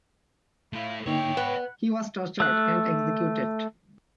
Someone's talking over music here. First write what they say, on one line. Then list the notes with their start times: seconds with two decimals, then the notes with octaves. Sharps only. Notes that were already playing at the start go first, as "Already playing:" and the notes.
He was tortured and executed.
0.73 A3 E4 F5
1.07 D3 A#3 D#4 C#5 E5 G5
1.37 B3 B4
2.40 A3 F#6